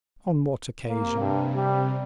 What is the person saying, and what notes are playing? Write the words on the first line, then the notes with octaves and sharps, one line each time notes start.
"On what occasion?"
C3 A#3
G2
G3